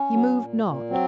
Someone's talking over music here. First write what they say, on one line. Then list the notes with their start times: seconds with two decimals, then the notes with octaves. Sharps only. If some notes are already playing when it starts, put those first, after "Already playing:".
He moved not.
Already playing: C#4
0.12 F#3
0.38 A#2
0.65 A#2
0.90 F#3 C4